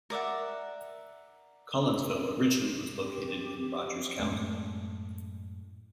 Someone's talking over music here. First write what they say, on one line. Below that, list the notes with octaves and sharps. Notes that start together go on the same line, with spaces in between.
Collinsville originally was located in Rogers County.
A#4 D5 E5 F#5
G4
F#2 A2 G#3 A3